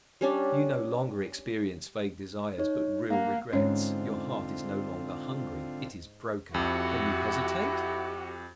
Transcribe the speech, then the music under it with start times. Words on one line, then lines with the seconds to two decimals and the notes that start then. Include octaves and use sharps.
You no longer experience vague desires, but real regrets; your heart is no longer hungry, it is broken! And you hesitate?
0.21 G3 C#4 D4 D5
2.58 D#4 C#5
3.11 A#3 F5 F#5
3.53 G#2 D3 C4 C#4 F4 C#5
6.54 F2 E4 F#4 G4